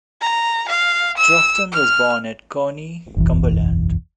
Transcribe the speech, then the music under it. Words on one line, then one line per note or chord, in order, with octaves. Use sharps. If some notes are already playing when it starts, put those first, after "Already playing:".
Troughton was born at Corney, Cumberland.
A#5
F5
E6
F6
F#1 B1 E2 E3